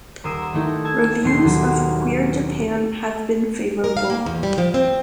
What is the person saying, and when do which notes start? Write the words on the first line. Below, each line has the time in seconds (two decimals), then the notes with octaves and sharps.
Reviews of "Queer Japan" have been favorable.
0.24 D#1 A#4 C6 D#6 E6 E7
0.53 D#3 A3 D#4 E4
0.84 A5 E6 G#6
1.23 D#2 B2 D#3 A3 C6 G6
1.45 D#1 D#2 F#3 F#4
3.84 A#4
3.97 F5
4.10 A#3
4.26 E2
4.43 G3
4.58 F3
4.74 C4